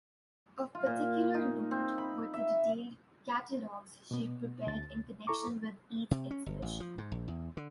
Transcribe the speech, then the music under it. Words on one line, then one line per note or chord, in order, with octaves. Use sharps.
Of particular note were the detailed catalogues she prepared in connection with each exhibition.
F4
A#2
D#4
C4
B5
E5
B2 B3
D2 A6
E4 A4 A#5 C#6 D6
C3
C#4
G1
A1
F3
G#2
A#1
E2
D3